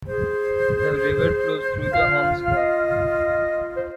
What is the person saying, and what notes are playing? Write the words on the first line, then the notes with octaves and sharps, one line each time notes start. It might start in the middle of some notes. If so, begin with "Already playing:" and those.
The river flows through the Homs Gap.
G#4 C5
F4 F5
F5
D#5
C5